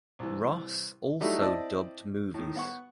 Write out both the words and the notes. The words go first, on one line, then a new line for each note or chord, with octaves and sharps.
Ross also dubbed movies.
C2 E3
F#3 G3 A3 D#4 E4
C4 E4 D5 D#5 A5
A2 D#3
B3 F#5 C#6